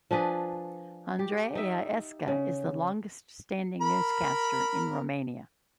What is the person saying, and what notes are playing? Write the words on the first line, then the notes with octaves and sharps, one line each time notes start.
Andreea Esca is the longest-standing newscaster in Romania.
F3 D4 G#4 B4
G4
D#4 E5
C#3
A#4 B5